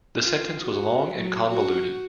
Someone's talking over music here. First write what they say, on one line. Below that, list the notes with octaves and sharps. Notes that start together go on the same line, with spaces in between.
The sentence was long and convoluted.
F4
F#4
F#3
F#4